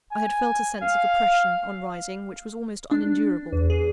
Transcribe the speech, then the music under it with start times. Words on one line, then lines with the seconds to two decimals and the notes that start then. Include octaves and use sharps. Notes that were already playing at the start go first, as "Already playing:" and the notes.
I had felt a sense of oppression, on rising, which was almost unendurable.
0.13 G#5
0.83 F5
2.91 D4
3.52 E2
3.70 G#4